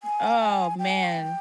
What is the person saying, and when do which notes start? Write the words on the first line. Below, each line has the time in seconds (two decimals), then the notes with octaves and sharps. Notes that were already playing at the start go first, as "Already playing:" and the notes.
Oh man.
0.03 G#5
0.40 G#5
0.79 G5
0.90 G#5
1.03 G5